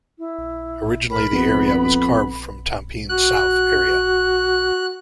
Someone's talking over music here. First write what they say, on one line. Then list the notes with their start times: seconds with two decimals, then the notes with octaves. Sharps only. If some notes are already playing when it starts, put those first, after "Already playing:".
Originally the area was carved from Tampines South area.
0.19 E4
1.10 A#4 B5
1.33 F2 B3
3.09 F#4 F#6